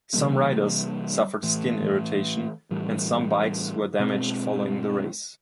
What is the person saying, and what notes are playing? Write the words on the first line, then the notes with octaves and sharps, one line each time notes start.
Some riders suffered skin irritation and some bikes were damaged following the race.
C3 E3 G3 A#3
A2 E3 A3
A2 E3 G3
B2 G#3 C4